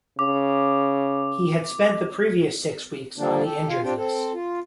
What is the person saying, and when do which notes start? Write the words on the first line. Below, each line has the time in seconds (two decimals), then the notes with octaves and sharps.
He had spent the previous six weeks on the injured list.
0.19 C#3 D6
3.18 D3 F3 G3 A#3 D4
3.44 G4 A4
3.69 F4 F5 G#5
3.84 C4 D4 F4 G4 G5
3.97 C4 A4
4.34 F4